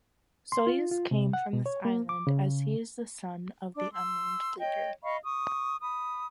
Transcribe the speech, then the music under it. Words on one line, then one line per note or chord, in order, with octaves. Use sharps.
Soyuz came from this island as he is the son of the unnamed leader.
C6
F4
F4
C3
F#5
B2
C#5
A#3
D6
C#3
D4 D6
C6 E6
C#5 D#5 G5
D#5 F5 B5 C#6
C#6 D#6
B5 D#6